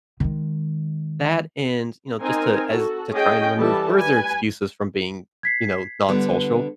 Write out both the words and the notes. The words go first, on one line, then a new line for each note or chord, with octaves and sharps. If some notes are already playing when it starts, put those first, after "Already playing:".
That and, you know, just to as to try and remove further excuses from being, you know, not social,
D#3 G#3
C4 D#4 A#4 G#5
F#4 A4
C#4 G#4 D#5 G5
E3 G3 A4 A5
B4 G#5
G#6 B6 C7
D3 G3 B3